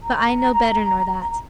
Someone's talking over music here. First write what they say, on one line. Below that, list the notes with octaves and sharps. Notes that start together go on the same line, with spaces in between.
But I know better nor that.
A#5